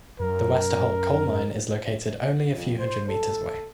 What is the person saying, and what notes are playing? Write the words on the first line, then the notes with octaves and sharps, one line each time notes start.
The Westerholt coal mine is located only a few hundred metres away.
F#2 A#4
F2
C5
A4